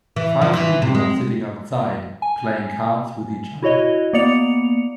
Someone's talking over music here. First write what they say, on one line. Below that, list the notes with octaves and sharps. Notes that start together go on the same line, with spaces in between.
Five people are sitting outside playing cards with each other.
E3
F3
E3
C3
G#3
G#5
E4 F#4 C#5 D#5
A#3 B3 D5 C#7 F7